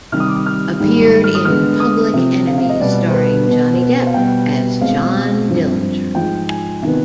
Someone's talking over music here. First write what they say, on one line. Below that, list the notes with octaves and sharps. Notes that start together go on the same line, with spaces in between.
Appeared in "Public Enemies" starring Johnny Depp as John Dillinger.
C3 D#3 G3 F6
D#6
D6
D#6
F6
G#2 D#3 G3
F6
D#6
D3 G#3 B3 F6
D#6
C3 F3 C4
F5
F5
D#5
B2 G3 B3 D5
C5
B4
B2 B3
C5
B4
C5
F5
B2 G3 B3 G5
B2 G#3 C4 F5
G2 F3 C4
G#2 F3 G#3 G5
G#5
C3 D#3 B3